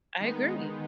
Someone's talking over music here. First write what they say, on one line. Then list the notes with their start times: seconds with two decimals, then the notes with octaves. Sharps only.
I agree.
0.20 D#3 G#3 B3 D#4